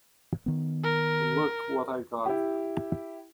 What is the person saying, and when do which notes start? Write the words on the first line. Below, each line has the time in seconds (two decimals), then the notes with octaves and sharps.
Look What I Got!
0.46 D#3 B3
0.84 A#4
2.26 E4 G4